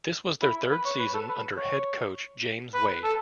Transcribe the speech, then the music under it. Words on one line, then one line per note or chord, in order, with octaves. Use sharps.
This was their third season under head coach James Wade.
E4
B4
C#5
B4
A4
B4
C#5
B4
A4